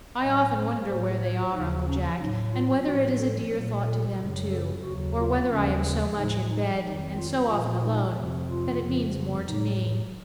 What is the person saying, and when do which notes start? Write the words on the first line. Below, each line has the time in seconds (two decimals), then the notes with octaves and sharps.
I often wonder where they are, Uncle Jack, and whether it is a dear thought to them, too, or whether I am so much in bed, and so often alone, that it means more to me.
0.21 A2 F#3 D#5
0.54 C5
0.88 A2 F#3 C5
1.20 C#5
1.53 D#2 C#3 F3 D#4
1.86 C#4
2.19 A2 F#3 D#4
2.52 F4
2.86 A2 F3 F#4
3.18 A4
3.52 A#2 F#3
3.85 A4
4.18 F#2 C#3 F#3
4.51 A4
4.84 D#2 C#3 F#3 F#4
5.18 F4
5.50 D#2 C#3 F3 C#4
6.17 A2 F3 D#4
6.50 D#4
6.82 F2 D#3 F#3 D#4
7.16 F4
7.49 A#2 F3 F4
7.82 D#4
8.15 F2 C3 F3
8.49 F4
8.82 F2 C#3 F3
9.47 A2 F#3 D#4